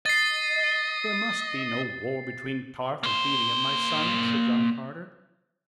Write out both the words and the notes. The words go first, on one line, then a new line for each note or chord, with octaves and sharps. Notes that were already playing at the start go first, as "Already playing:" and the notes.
"There must be no war between Ptarth and Helium, my son," said John Carter.
D#5 A6 C7
A#3 C5